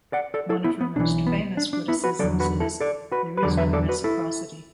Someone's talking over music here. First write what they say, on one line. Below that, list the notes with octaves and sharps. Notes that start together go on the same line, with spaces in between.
One of her most famous witticisms is: There is no reciprocity.
D5 F#5
A4 D5
E4 A4
B3 E4
B3
B1 A2 E3 D4
B3
D4
D4
B3 E4
F#4 B4
E2 D3 F#3 A4 D5
F#4 B4
E4 A4
A4 D5
F#4 B4
B4
E2 D3 F#3 A4 D5
B4 E5
A4 D5
F#4 B4
E4 A4